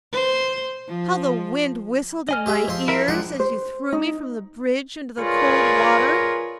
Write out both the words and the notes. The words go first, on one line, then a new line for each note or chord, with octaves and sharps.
How the wind whistled in my ears as you threw me from the bridge into the cold water!
C5
F3
D#5 G#5 F6
G#3 G4 E5
F3 C4 C6
E4 A#4 E5
F3 G#3 D4 F#5 G5
C5
D#4
F4 G#4 A#4 B4 C#5 D5